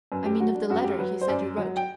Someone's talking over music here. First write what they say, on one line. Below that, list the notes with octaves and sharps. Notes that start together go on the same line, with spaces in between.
"I mean of the letter he said you wrote."
F#2 B4
G4
F#3 F#4
D4
F#2 F#4
G4
F#3 B4
C5
F#2 D5
F#3
G5